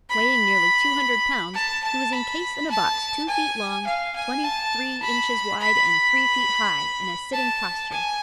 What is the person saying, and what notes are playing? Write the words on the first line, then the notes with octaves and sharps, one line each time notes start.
Weighing nearly two hundred pounds, he was encased in a box two feet long, twenty-three inches wide, and three feet high, in a sitting posture.
B5
A5
A5
B5
A5
G#5
F5
G#5
A5
B5
B5
A5
G#5